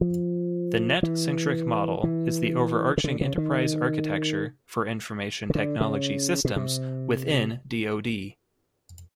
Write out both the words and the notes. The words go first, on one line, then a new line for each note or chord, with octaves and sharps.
The net-centric model is the overarching enterprise architecture for information technology systems within DoD.
F3
E3
E3
C#3
D3
C#3
D#3
C#3
D3
C#3
B2
C3